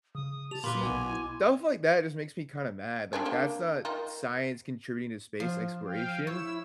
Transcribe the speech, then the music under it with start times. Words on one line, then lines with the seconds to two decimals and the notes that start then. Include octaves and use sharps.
See, stuff like that just makes me kinda mad, like, that's not science contributing to space exploration,
0.15 C#3 D#6
0.51 G4 A5 F7
0.64 A#2 A#3 B4 B5 C6 D6 G7
0.81 B1 B2 B4 G#5
1.06 E4 G#5
3.13 C4 D4 G#4
3.25 A#3 D4 G4
3.85 D#3 D#4 F4
5.40 F3
5.87 F5 G5
6.27 E4 C#5 E6